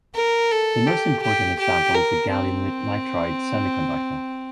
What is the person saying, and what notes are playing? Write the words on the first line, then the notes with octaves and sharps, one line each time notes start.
The most important example is the gallium nitride semiconductor.
A#4
A4
G4
G4
G4
A#4
C4